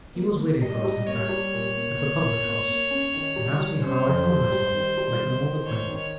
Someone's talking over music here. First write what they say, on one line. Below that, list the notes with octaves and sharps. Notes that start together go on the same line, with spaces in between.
He was waiting for us, in fact, at the public-house; and asked me how I found myself, like an old acquaintance.
A#3
A#3
G3 D#5
G3
A#3 C#5
G3
A#2
A#3
A#3
A#2
A#3
A#3
C#4
D#3
G3
G3
C#4 C5
F2
G3
G3
D#3
G3
D#3
D#3
D#3 C#5
D#3